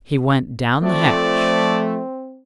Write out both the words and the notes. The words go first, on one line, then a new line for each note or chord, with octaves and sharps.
He went down the hatch.
F3 A3 C4 D5